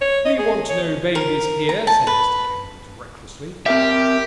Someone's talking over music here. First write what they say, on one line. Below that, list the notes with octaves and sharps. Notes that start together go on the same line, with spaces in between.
We want no babies here,' said Mr Kenwigs recklessly.
C#5
D#5
G#4
C#5
A#4
A#5
A5
B4
C4 G4 A#4 E5